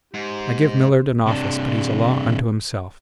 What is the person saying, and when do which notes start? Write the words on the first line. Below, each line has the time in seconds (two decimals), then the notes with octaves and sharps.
I give Millard an office but he's a law unto himself.
0.14 G#2 G4 C5
1.26 C3 D4